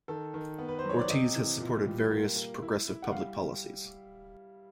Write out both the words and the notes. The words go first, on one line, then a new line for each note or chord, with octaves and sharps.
Ortiz has supported various progressive public policies.
D#3 A4
D#3
B3
B4
C5
F#3 C#5
D5
C3 D#5
E3
A#2
G3
A#3
A#3
E4
E4
F#5
G3 F5